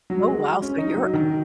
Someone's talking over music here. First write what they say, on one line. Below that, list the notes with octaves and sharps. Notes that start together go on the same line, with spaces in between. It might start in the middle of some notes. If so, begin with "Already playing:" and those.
Oh, wow, so you're
F#3
G#3
C#4
D#4
F#3
D#3